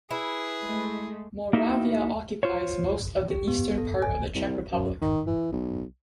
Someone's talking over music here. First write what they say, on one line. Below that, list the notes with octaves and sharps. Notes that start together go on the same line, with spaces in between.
Moravia occupies most of the eastern part of the Czech Republic.
E4 G#4 B4
G#3 A3
A#3 D#4 E4 F#4
F4 C5 C#5
G4
B3
A4
G#5
C2
F#2
D#3
E3
B1